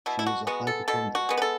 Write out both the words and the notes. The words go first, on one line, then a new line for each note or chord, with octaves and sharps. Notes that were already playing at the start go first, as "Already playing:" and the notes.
She is a hypochondriac.
B2 E4
E4
F#4
G#3 B3 F#4
A4
B2 A4
F#4
G#3 B3
B4
A4